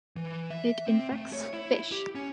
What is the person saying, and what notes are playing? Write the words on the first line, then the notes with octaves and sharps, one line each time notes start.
It infects fish.
E3
E5
C4
A3
C#5
E4
G4
C#4